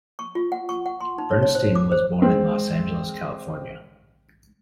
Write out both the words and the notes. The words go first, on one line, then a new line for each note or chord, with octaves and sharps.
Bernstein was born in Los Angeles, California.
C#6
F4
F#5
C#6
F#5
C6
D#4
C#5
C#5
C5
D6
C5
G#3 C4